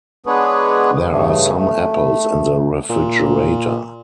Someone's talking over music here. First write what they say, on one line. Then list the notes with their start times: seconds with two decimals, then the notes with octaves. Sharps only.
There are some apples in the refrigerator.
0.26 G#3 B3 D4 G#4 B4 C#5
1.09 G2 C#3 A3
1.57 A3
2.89 A#2